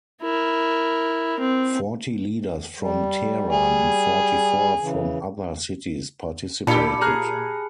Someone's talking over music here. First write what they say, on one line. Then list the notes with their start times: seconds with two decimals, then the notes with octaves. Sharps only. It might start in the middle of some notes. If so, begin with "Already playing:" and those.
Forty leaders from Tehran and forty-four from other cities participated.
0.23 E4 A#4
1.40 C4
2.80 G3
3.53 G#4
4.80 C#3 E3
6.67 A#2 D4 E4 G4 A5 B5 C#7
7.01 G#4 A#5 F6 F#6